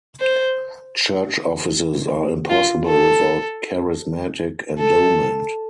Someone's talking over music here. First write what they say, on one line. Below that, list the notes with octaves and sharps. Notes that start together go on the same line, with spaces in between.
Church offices are impossible without charismatic endowment.
C5
F4
A4
A4